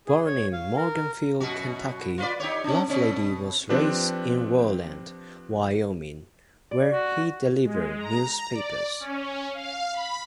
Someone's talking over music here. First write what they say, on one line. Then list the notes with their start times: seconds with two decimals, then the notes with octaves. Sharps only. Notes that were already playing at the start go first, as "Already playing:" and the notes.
Born in Morganfield, Kentucky, Lovelady was raised in Worland, Wyoming, where he delivered newspapers.
0.07 G#4
0.26 C#5
0.53 F5
0.76 A#4
1.40 F#2 B2 F#4
2.18 F4 B4 D5
2.40 D#4 G4 C#5
2.64 C4 D4
2.88 B2 C4
3.69 F3 C4 D4 G4 B4
6.71 D5
6.92 F#4
7.64 G#3
7.99 A#5
8.53 D5
9.00 C#4
9.54 F5
9.93 B5